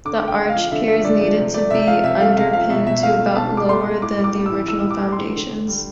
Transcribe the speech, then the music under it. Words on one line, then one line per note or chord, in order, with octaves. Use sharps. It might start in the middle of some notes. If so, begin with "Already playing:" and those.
The arch piers needed to be underpinned to about lower than the original foundations.
D3 D6
A3
G5
D3
F5
F3
D3 E5
A3 E5
D3 D5
F3 D5
C3
A3 D5
C3 E5
F3 F5
C3 E5
A3 F5
C3 F5
F3 F5
B2 E5
B2 E5
A3 F5
A3
B2 A5
B2 D6
A3 C6
A3
A2 D6
G3
D6
A2
E6
E3
A2 E6
G3
D6
A2
C6
E3
D3
D3
G3